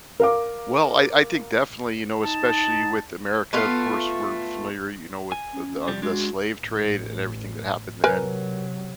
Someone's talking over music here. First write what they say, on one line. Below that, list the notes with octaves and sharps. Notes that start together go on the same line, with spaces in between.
Well, I I think definitely, you know, especially with America, of course, we're familiar, you know, with the, uh the slave trade and everything that happened then.
A#4 F5 D6
D#4 A5
A3 B3 F4 F5
G#5
C#4
C2 F3 G3
G#3 D4 F#4
A1
C3 F#3 A#4 B4 G#5